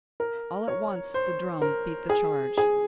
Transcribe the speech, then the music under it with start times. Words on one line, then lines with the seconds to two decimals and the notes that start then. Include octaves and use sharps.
All at once, the drum beat the charge.
0.20 A#4
0.68 C#5
1.14 C5
1.62 A#4
2.09 G#4
2.58 G#4